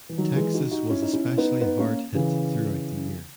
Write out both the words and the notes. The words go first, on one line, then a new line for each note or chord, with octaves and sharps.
Texas was especially hard hit throughout the year.
E3
D#3 F#3
E3 G#3
D#4 F#4
D#4 F#4
C#4 E4
D#4
C#4 E4
B3 D#4
B3 D#4
A#3 C#4
C#3 E3